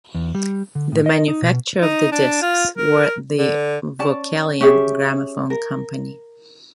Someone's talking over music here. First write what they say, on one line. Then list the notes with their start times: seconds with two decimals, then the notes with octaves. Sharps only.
The manufacturer of the discs were the Vocalion Gramophone Company.
0.15 E2
0.35 G3
0.75 D3
0.92 A2
1.06 D#5
1.28 D#4
1.42 B2
1.82 D#4
2.12 D4
2.42 F4
2.77 A#4
3.39 D3
3.99 C#4 D5 A5
4.61 C#4 G4 G#4 E5
5.50 A#4